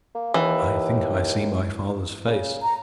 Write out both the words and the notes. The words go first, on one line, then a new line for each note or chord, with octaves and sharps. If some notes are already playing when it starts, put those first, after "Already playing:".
I think I see my father's face!
A#3
D#2 E3
C#3
A#5